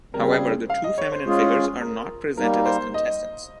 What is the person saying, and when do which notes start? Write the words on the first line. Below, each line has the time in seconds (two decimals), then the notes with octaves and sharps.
However, the two feminine figures are not presented as contestants.
0.14 C#3 G3 C4 A#4
0.32 G#4
0.70 F5
0.84 D#5
0.98 C#5
1.12 C5
1.26 G#3 C#4 F4 G#4
1.81 A#4
2.37 G3 A#3 D#4 A#4
2.65 C5
2.94 D#5